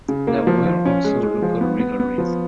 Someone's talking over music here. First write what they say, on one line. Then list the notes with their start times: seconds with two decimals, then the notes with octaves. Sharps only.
There were also local rivalries.
0.09 C#3
0.27 A#3
0.47 F3
0.66 F3
0.85 C#4
1.04 G#3
1.23 G#3
1.42 F3
1.61 B3
1.80 B3
2.00 B3
2.18 F3